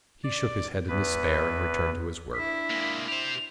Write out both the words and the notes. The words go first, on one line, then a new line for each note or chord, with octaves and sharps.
He shook his head in despair, and returned to his work.
D5
E2 B4
D4 E4 B6
G#3 A#3
G4 C5 F7